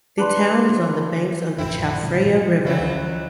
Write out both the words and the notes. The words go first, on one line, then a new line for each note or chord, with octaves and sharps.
The town is on the banks of the Chao Phraya River.
D4 B4 C6
A1 F2 C4 E4
A2 C#3 G3
B2 E3
F2 D#3 F#3 G3 E4
D2 E3 C#4